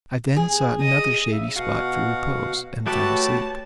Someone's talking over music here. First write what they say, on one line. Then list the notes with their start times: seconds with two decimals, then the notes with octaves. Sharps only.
I then sought another shady spot for repose, and fell asleep.
0.37 G#4
0.81 D#5 D#6
1.32 C#3 E5
1.56 B2 F#4 F5 F#5
2.86 A3 F#4 G4 B4 C#5 A5